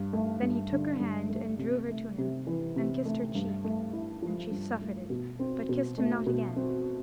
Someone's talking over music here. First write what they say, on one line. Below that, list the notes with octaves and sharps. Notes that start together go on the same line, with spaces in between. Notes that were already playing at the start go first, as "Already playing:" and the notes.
Then he took her hand and drew her to him, and kissed her cheek, and she suffered it, but kissed him not again.
Already playing: G2
A3
G2
D3
G2
A3
C3
A3
C3
E3
C3
A3
G2
A3
E4
F3
G2
A3
B2
C4
B2
A3
B2
C4